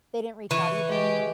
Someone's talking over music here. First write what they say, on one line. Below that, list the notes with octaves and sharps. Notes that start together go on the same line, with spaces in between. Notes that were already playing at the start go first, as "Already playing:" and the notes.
they didn't reach out either.
E3 C#6
G#3 G4